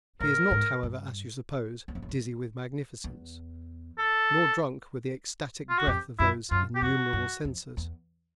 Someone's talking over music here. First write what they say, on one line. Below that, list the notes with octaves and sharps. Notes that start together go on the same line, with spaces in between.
He is not, however, as you suppose, dizzy with magnificence, nor drunk with the ecstatic breath of those innumerable censers.
A2 A#4
G#2
G2
E2
F2
F#2
G2
E2
A4
F4
F#4
F2 G4
F#2 E4
F#2 F4
G4
F2 F#4
F#2
F2
E2